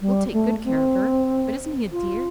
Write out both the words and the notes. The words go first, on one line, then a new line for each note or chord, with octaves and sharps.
We'll take good care of her. But isn't he a dear?
G3
A3
C4
F4